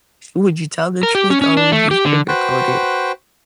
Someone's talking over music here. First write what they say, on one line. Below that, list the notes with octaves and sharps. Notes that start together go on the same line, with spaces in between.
would you tell the truth or would you sugarcoat it?
A#4
G4
C#4
C#4
D4
A3
G4
D3
F#4 B4 C5 G5